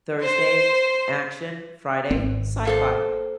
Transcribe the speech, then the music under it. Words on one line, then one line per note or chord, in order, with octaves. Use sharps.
Thursday, action. Friday, sci-fi.
C5 C6
G#1 C4
A#3 A4 C5